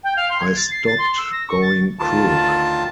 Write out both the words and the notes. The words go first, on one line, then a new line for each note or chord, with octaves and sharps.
I stopped going crook.
G5
F5
C6
G#6
A6
C7
A6
C6
E6
A#6
C#6
A6
D2 D#3 F4 A5